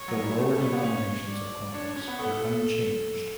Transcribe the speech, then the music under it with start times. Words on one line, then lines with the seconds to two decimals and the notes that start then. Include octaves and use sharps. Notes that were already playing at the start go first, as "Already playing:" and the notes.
The lower denominations of coins were unchanged.
Already playing: C#5
0.08 F#3
0.24 G3
0.38 A3 C#5
0.50 A3
0.61 G3
0.72 B3
0.83 C#4
1.28 D5
1.73 D4 C#5
1.85 D4
1.96 C#4
2.08 B3
2.19 B3 A4